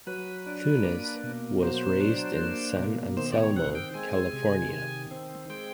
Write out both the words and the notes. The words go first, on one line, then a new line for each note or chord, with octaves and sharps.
Thunes was raised in San Anselmo, California.
F#3 B4
D4
A#3
B2
F#3 C5
D4
A#3
B2
D#3 C5
D5
C#5
C4 F#5
G5
G#3 G#5
C3
D#3
C4
G#3 G5